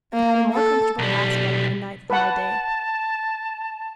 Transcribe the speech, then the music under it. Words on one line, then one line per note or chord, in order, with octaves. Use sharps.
It had a more comfortable aspect by night than by day.
A#3
A4
B1 G3
B4 F#5 A5